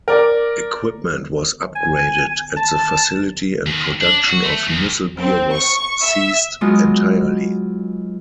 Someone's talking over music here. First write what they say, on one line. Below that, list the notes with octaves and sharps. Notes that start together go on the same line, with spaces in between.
Equipment was upgraded at the facility and production of Muessel beer was ceased entirely.
A#4 D5
G#5
A5
D#2
D4
F#4
A3
D#2
C4
C#6
E5
F#3 G#3 B3 D#4 F4